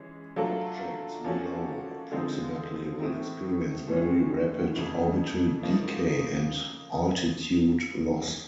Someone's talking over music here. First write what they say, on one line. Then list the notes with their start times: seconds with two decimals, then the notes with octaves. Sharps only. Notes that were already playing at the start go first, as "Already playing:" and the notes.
Objects below approximately will experience very rapid orbital decay and altitude loss.
Already playing: E3 G#3 C#4
0.36 F#3 A3 D4 F4 A4
1.24 F3 A#3 C#4 F#4 A4
2.12 D3 F3 G#3 C4 D#4
2.99 A2 E3 A3 C4 D#4
3.87 A2 E3 G#3 C#4
4.76 F2 C#3 E3
5.63 C#3 F3 A#3 D#4